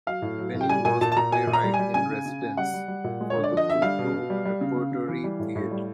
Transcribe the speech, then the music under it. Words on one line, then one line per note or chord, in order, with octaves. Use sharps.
Penny was the playwright-in-residence for the Kuntu Repertory Theatre.
F#3 F5
A2
F#3
A2
G5
G3 G#5
A#2 G#5
A#2 A5
A5
A#2 A#5
A#2 G#5
A#2
A#5
G3
G#5
G3
C#3 G#5
C#3
C#3
C#3
G3 F#5
G3
G3
A#2
G#3
C#5
D3
D5
F3
D#5
D3 E5
G3 F5
B2
B2
G3
G3
C#3
C#3
C#3
E3
G3
A2
A2
G3